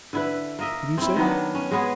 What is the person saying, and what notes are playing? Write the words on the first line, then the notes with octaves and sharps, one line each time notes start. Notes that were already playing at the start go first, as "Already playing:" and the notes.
"What did you say?"
D3 E4 B4
A#3 D#5 E5
C4 E4
D#3 F#3 B3 D4
C#4
G#3 B3 G#4